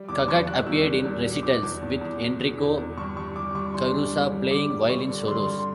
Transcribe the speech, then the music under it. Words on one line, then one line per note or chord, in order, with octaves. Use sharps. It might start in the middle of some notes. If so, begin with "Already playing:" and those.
Cugat appeared in recitals with Enrico Caruso, playing violin solos.
Already playing: G3
E2 D6
E2 C#6
G3 F#6
E2 E6
G3
E2
B2
B2 D6
E2
E2
E2
B2
B2
E2
E2
G2 C#6
G3 C#6
G3 D6
G3 C#6
E3 C6
G3
G2
G3
G3 D6
G3
G3 C#6
D3
G3 C6
G2 C6